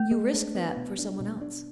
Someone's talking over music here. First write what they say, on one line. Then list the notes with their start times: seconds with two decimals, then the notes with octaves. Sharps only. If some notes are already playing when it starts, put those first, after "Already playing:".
"You risk that for some one else."
Already playing: A3
0.11 G#3
0.34 D4
0.55 B3
0.77 B2
0.99 D4
1.20 B2
1.41 D4